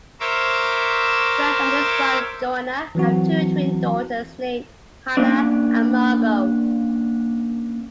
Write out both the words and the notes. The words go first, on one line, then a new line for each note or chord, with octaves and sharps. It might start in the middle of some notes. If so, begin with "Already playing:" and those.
Grant and his wife Joanna have two twin daughters named Hannah and Margo.
A#4 C5 C#5 E5 D6 E6
E3 F#3 C4 F#4
A#3 C#4 D4